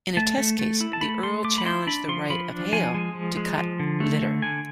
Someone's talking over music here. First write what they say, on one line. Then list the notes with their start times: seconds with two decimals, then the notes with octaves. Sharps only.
In a test case, the Earl challenged the right of Hale to cut litter.
0.17 A3 A5
0.38 A3
0.59 A3
0.81 E4
0.93 A5
1.01 A3 B5
1.23 A3 C6
1.44 A3 D6
1.58 B5
1.65 E4 C6
1.87 D4 B5
2.08 F3 C6
2.30 F3 B5
2.51 D4
2.72 F3 G#5
2.94 G#3
3.15 F3
3.37 G#3
3.58 F3
3.80 D3
4.00 A3
4.22 D3
4.42 D3 G#5